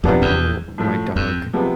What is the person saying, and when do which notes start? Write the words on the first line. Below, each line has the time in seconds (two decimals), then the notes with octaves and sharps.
I know my dog,
0.03 F2 C3 F3 B3 D4
0.22 E2
0.78 A2 F3 A3
1.16 F2
1.53 C3 F3 G#3 B3